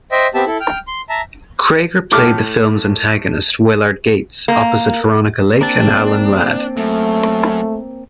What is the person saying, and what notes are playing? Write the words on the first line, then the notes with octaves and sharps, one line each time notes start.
Cregar played the film's antagonist, Willard Gates, opposite Veronica Lake and Alan Ladd.
C5 D#5 E5 G5
B3 C4 G4 E5 A5
E4 A4
G5 F6
C6
E5 A5 A#5
A2 A3 D6 F6
A#3
A#3 C4 D4 A5
F#2 A3